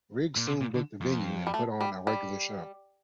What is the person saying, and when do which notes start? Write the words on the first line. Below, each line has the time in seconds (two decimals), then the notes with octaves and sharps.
Riggs soon booked a venue and put on a regular show.
0.37 A#2
0.47 C3
0.61 A#2
0.74 D3
1.01 F2
1.47 G3
1.54 A3
1.81 G3
2.07 G3